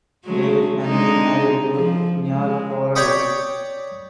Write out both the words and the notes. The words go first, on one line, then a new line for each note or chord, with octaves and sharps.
Davidman is married to Neal Horrell.
F#3 G#3 A3
D3 G#3 D#4
F3
G#3
C#5 D5 G5 B5 C#6 D#6